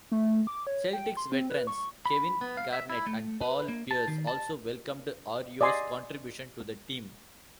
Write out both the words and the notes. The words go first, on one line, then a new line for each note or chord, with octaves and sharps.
Celtics veterans Kevin Garnett and Paul Pierce also welcomed Arroyo's contribution to the team.
A3
D6
C#5
G5
C6
C4
B4
C#6
B5
B3
F5
E5
E4
A3
B4
A#3
A5
D#3
A5
D5 D#5 G#5 C6